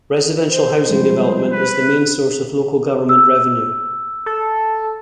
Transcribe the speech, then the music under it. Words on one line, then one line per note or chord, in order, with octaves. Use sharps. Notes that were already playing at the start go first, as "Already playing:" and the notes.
Residential housing development is the main source of local government revenue.
C5
F3 G3 G#3
B4
E6
A4